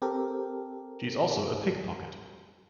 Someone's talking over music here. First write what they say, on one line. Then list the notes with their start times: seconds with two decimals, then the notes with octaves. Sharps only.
She is also a pickpocket.
0.02 C4 G4 A4 A#4